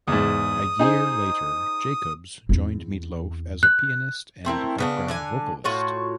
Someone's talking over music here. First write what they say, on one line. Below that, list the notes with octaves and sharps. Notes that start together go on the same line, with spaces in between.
A year later, Jacobs joined Meat Loaf as a pianist and background vocalist.
E2 G#2 D#6
D#4 G#4 C5
E2 C4
F#6
A3 C4 E4 A#4
C#3 B3 D4
D3 D4 G#5
A2 F4 F#4 C#5